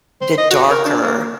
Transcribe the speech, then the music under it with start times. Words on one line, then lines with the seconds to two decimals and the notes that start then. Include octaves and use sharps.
the darker,
0.21 C5
0.38 D#5
0.51 F#4
0.71 A#4
0.85 D4
1.03 A#3